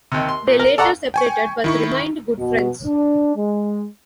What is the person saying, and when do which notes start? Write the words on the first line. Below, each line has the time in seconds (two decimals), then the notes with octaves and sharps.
They later separated but remained good friends.
0.12 D#2 C3
0.29 C6
0.47 A#2
0.59 A#4
0.78 A4 D5 F#5 A#5 C#6
1.14 G5 G#5 C#6
1.64 D#3 E4 C#6
2.39 B2
2.86 D4
3.36 G#3